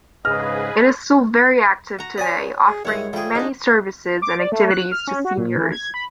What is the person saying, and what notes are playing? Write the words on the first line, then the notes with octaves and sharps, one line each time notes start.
It is still very active today, offering many services and activities to Seniors.
G#2 C#3 G#4 B4 D#5 F6
F#4 A#5
C#5 D5 G#5 B5 D#6
G#4
G2 D#3 E4 C#5 F#5
F3 G3 A3 G#4 G5
G#2 D4 D#4
D6
D5
A3
F#6
F6
C#4
F#4
A#2
E3
G#6
B5